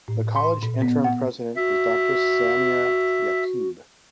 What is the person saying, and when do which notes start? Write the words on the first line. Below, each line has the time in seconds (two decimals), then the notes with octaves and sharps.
The college interim president is Doctor Samia Yaqub.
0.08 A2
0.36 C6
0.63 A#2
0.82 B3
1.04 F#5
1.56 F#4 E5